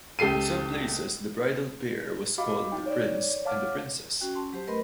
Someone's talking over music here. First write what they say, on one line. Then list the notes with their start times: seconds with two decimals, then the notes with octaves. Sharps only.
In some places the bridal pair was called the prince and the princess.
0.19 C#2 G4 A4 C7 D#7
2.38 F#4 G4 D#5 F5 B5 D6
2.72 D#4 G5
2.86 C#5 D5
3.45 C#5 F5 F#5 A5 D6 F6
4.21 C#4 F#4 G5
4.35 C#4 A5 C6
4.53 F#3 G4 C5
4.68 A3 A#4 B4 D#5 B5 C6